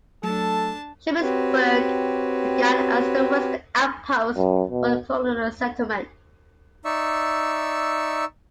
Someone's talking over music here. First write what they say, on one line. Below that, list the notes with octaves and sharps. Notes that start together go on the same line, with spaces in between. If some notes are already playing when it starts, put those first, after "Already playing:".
Shippensburg began as the western outpost of colonial settlement.
F#3 A3 D4 A4 A5
C4 F#4 G4 B4 C#5
F#2
B2
D#4 D5 E5 C#6 E6